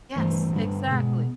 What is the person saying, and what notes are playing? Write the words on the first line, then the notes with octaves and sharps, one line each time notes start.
Yes, exactly.
G2 E3 A3 C5
G2 D3 G3
B2 G#3